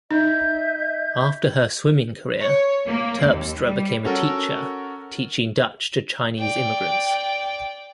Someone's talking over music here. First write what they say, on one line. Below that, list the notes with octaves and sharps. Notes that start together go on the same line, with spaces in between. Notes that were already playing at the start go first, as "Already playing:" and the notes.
After her swimming career Terpstra became a teacher, teaching Dutch to Chinese immigrants.
D#4 D#5 E5 G6
C#5
A#3
D#2
G3
C#4 F#4 A4 A#4
D5 G5